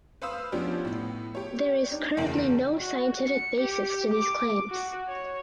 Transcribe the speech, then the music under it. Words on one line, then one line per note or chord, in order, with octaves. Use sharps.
There is currently no scientific basis to these claims.
B4 C5 F5 B5 D#6 E6
F3 B3 C#4 D4 F4 G4
A2 B3
G4 C#5
D4 D#4
F#1 E2 A#4 G5 C7 F#7
F#4
C#7
G4
D6
F#4
C#5